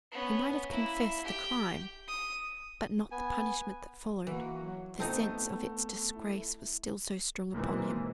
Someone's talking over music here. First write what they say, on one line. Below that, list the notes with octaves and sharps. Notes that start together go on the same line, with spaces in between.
He might have confessed the crime, but not the punishment that followed, the sense of its disgrace was still so strong upon him.
B3 C#4
A#3 E4
G4 G5
D#6
B3 G#5
E3 A#3 F#4
F#3
A3 B3 C4 D#4
E4
D#2 B2 E3 G#3 A#3 C4